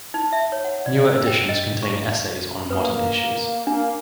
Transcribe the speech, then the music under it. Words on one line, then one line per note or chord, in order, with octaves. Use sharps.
Newer editions contain essays on modern issues.
D#4
E5
C#5
F#5
D5
E6
G5
D#5
C#6
A#3 B4 D#6
A#3 D4